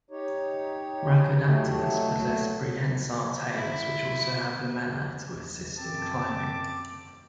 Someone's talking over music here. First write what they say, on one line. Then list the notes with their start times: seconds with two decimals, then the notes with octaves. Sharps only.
"Rhacodactylus" possess prehensile tails which also have lamellae to assist in climbing.
0.11 D#4 G4 C#5
1.45 A2 F#3 A3
3.57 E4
5.77 F#2 C4 A5 D6